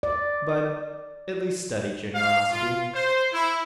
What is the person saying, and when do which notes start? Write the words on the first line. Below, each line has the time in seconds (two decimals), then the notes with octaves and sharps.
But, at least, study generosity.
0.03 D5
2.15 F5
2.51 F4
2.95 C5
3.33 E4